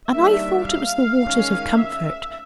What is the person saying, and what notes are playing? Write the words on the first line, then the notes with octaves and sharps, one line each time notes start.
And I thought it was the waters of comfort.
D#3 G3 A#3 D4 E5
F5
D#3 G#3 C#4
E5